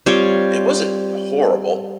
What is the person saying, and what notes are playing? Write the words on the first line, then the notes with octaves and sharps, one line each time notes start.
It wasn't horrible.
G3 C4 F4 C#5